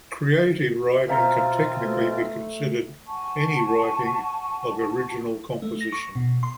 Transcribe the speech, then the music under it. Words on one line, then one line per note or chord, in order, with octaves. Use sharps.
Creative writing can technically be considered any writing of original composition.
B2 C4 F4 C5 E5 F5 A#5
A3
F#5 G#5 A5 C#6
A3
A#6
C#6
B2
C6